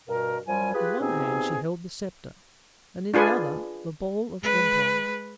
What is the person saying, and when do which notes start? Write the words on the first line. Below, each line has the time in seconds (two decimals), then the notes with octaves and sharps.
In one hand she held the scepter, and in the other the ball of empire.
0.08 G2 B2 A#4
0.47 F#2 F3 G3 F4 G#5
0.73 F4 G4 G#4 B4
1.00 B2 F3 C4 D#4 G4 G#4
3.14 D4 F4 G#4 B4 G#5
4.42 G#3 B4